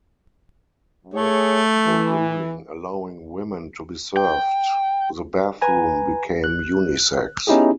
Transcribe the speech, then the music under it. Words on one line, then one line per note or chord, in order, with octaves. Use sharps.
With the ruling allowing women to be served, the bathroom became unisex.
A3 G#4 C#5
E3
G5
B4 G#5 A#5
F#6
B3 C#4 D#4 E4 G4 G#4